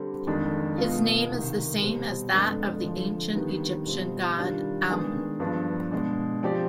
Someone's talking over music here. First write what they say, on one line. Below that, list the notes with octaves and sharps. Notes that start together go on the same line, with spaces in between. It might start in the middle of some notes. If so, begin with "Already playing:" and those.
His name is the same as that of the ancient Egyptian god Amun.
Already playing: D3 G3 C4
F2 D#3 G#3 D4
B2 B3 F4
C2 C3 D#3
B2 G3 C4
F2 D3 G#3 B3 D4
D2 D3 F3
D#2 D#3 G3 B3 D4
B2 G3 C4 F4
D#3 G3 D4 F4
D#3 G#3 B3 D4 G#4
G2 F3 B3 D4
B2 G#3 D4
F3 C4 G4 D5